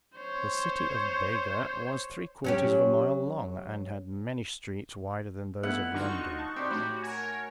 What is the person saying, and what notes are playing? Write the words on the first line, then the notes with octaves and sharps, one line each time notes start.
The city of Bega was three-quarters of a mile long and had many streets wider than those of London.
C5 C#5
F#3 C#4 G4
A3 B3 E4 F#5
D3 D#4 F4 F#4 C#6
A5
C4 G4 D5
A2 F#4 B5
A#4 C#5 G#5